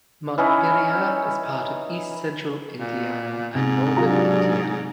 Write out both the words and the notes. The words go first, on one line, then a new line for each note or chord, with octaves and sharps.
Montpelier is part of East Central Indiana and Northern Indiana.
E3 C#4 D#4 E4
A#2
G#2 C3
F#3 D4 F4 G4 A#5